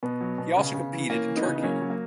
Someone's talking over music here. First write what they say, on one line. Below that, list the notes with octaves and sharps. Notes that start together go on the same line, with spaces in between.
He also competed in Turkey.
B2 B3
F#3
B2
C#3
C#3
E3
E3 A#3 C#4
E3
B3 D#4
C#3
D#4
F#3 A#3 C#4
F#3
A#3